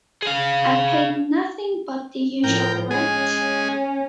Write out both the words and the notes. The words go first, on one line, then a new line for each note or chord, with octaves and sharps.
I paid nothing but the usual rent.
G#4 F5
A2 F3 A#4 G5
G#3 C#4 G#4
C#4